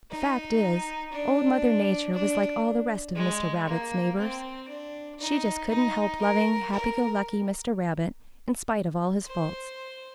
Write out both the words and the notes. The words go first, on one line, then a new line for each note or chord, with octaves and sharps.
The fact is, Old Mother Nature was like all the rest of Mr. Rabbit's neighbors--she just couldn't help loving happy-go-lucky Mr. Rabbit in spite of all his faults.
D#4
D4
D4
G#3
A#3
C4
D4
D#4
D#4
A#4
A#4
C5